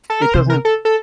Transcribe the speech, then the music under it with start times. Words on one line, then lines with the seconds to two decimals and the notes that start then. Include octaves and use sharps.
it doesn't
0.10 A4
0.22 A#4
0.34 C3 C5
0.50 A#4
0.65 A4
0.85 A4